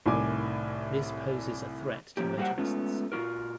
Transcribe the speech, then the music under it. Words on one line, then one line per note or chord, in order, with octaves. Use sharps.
This poses a threat to motorists.
C2 A2 D#3 G#5 D6
F3 A#3 C#4 G4
G3 A#3 F#4 G4 C5 F#5
G#3 A3 B3 C#4 F4
A#2 E3 F4 F#4 A#4